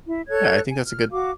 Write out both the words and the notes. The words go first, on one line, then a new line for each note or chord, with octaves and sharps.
Yeah, I think that's a good
E4
A4 C#5 F#6 G#6
G#5
F6
F#4 F5 D6